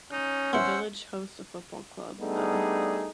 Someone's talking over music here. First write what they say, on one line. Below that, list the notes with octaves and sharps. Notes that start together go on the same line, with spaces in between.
The village hosts a football club, the.
C#4 D#4
B3 E4 C5 F#5 C6 E6
G3 A3 B3 D4 D#4 G#4